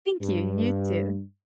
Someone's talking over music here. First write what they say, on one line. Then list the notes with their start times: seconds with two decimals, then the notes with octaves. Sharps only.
Thank you, and you too.
0.21 G2